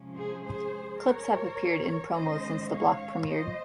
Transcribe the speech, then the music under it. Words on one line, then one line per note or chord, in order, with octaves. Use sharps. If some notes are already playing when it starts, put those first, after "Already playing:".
Clips have appeared in promos since the block premiered.
Already playing: C3 F3 G#3 C#4
G#4 C5
G#4 C5
A#4 C#5
D#3 G#3 C#4 C5 D#5
C#5 F5
C5 D#5